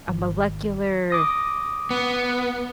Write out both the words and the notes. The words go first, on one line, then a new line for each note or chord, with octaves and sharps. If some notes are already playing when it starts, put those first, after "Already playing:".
a molecular
G#1
D6 D#6 A#6
B3